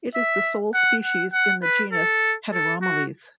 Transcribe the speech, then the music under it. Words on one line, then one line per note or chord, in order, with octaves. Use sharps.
It is the sole species in the genus Heteromeles.
E5
F#5
F#5
F#5
B4
A4
A4
F#4